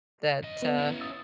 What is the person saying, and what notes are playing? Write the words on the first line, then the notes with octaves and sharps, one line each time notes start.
that, uh,
C#3 D#5
B3 B4
C#4 E4
D#6 E6 A6